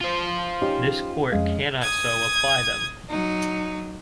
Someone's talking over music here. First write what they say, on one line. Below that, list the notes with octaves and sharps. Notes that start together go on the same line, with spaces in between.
This court cannot so apply them.
F4 C5
C#4 D#4 G4
F2 G#3 C#4 F5
D#6 G#6
F#3 D#4